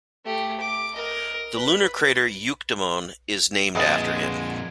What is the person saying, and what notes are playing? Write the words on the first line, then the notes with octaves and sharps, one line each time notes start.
The lunar crater Euctemon is named after him.
A3 G4
D6
A#4 D#5
B4
F2 A#2 G#3 B3 D#5 A5